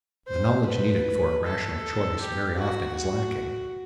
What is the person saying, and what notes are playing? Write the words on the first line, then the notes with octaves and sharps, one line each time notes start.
The knowledge needed for a rational choice very often is lacking.
C5
B4
A4
A4
G4
F#4
F#4